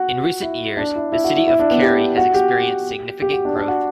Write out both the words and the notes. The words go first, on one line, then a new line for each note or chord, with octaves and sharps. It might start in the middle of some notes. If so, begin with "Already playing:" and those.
In recent years, the city of Carey has experienced significant growth.
Already playing: F#4
E4
D4
E4
E4
F#4
E4
E4
D4
B3
G4
F#4
G4
G4
F#4
D4
D4
F#4